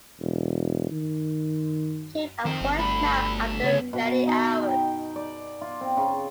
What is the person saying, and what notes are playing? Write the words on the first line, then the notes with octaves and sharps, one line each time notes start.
Came a voice now after many hours.
E1
D#3
F2 D#3 C4
G1
A3 D4 B5
C#3 C#5
B2
D#4
G5
D5
F4
C4
C#3